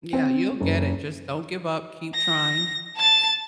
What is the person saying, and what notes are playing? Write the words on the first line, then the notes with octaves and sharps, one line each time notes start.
Yeah, you'll get it, just don't give up, keep trying,
C4
F#1
A#6
A5 A6